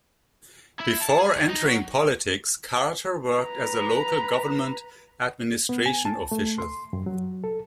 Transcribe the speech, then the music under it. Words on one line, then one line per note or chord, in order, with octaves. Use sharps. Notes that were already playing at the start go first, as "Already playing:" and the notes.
Before entering politics, Carter worked as a local government administration official.
E4
A5
G#4
D#2
D#4
F#3
B4 A#5
B3
G#5
A5
A3
C6
F#2
F#3
A4